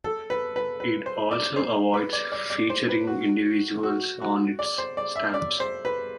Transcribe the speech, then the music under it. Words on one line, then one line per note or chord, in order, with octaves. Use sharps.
It also avoids featuring individuals on its stamps.
A4
B4
B4
B4
C5
D5
C5
B4
D5
D5
D5
C5
B4
F#4
F#4
F#4
D5
C5
D5
E5
D5
C5
B4